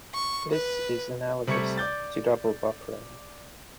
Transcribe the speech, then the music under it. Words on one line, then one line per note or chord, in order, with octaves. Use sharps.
This is analogous to double buffering.
C#6
B4
C3 G3 A3 C#6 G#6 C#7
D5 D6 G6 A6